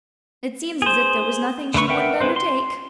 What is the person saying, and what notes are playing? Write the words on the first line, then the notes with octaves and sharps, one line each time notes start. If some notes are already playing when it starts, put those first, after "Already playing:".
"It seems as if there was nothing she wouldn't undertake."
G#4 C5
D3 A3 B4 C#6
A#4 B4 E5 F#5 G5
G#3 C4 B4 C5
C6